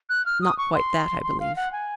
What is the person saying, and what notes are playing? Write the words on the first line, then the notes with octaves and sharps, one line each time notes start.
"Not quite that, I believe."
F#6
F6
D#6
C#6
C6
C6
F5
F#5
G#5